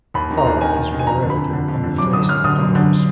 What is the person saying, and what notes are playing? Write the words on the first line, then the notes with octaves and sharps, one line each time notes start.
Pallor is more evident on the face and palms.
D#2 B5
D#3
A#5
D#2
D#3 G#5
D#2
D#3
G#5
F2 A#5
D3
B5
F2
D3
F2
D3
F#2 D6
D3 D#6
F#2 F6
D3 D#6
F#2
D3